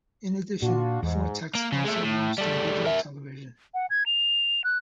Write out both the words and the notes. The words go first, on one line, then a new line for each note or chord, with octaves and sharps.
In addition, FourText also launched on digital television.
A#2 D4 F4 F#4
E2 G#2
A#3
C#3
G#3 A3
A2
G3 A3
A#4 E5
F#5
G#6
F7
F#6